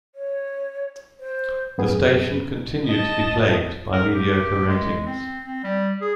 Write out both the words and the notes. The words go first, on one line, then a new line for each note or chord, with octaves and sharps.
The station continued to be plagued by mediocre ratings.
C#5
C5
F#2 B3 G#4
D#5 A5
A#4
G4
G#3
C4
C4
G3
G#4